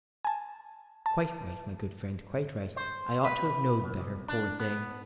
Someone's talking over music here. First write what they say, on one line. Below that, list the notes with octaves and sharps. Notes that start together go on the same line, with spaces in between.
"Quite right, my good friend, quite right, I ought to have knowed better, poor thing."
G#5 A5
A5
C5
B4
F#2
C2
D4
B3